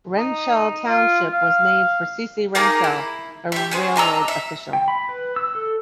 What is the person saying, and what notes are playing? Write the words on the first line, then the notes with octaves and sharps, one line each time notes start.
Wrenshall Township was named for C. C. Wrenshall, a railroad official.
D#4
F4
F5
A#3 D#4 G#4 A#4
E4
G4 E5
C#4 G#4 C5
D4 D#5 A#5 E6
E5
G5
B5
B4
E6
A4